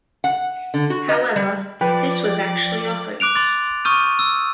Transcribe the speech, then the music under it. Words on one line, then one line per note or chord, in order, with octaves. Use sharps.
However, this was actually a hoax.
F#5
D3
F#4
D#5
G3
F3 B4 D5 G5
D6 F#6 D7 F7
C6 A6
C#6 D#6 F6 G6 D#7
E6